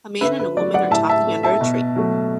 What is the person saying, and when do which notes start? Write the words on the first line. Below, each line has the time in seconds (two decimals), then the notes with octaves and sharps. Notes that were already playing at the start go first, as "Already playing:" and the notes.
A man and a woman are talking under a tree.
0.21 D3 B4 E5
0.40 B4
0.57 F#3 D5
0.60 A3
0.74 D5 F#5
0.91 A2 E5 A5
1.09 E5 A5
1.27 A3
1.43 E5 A5
1.61 B2
1.96 F#3 A3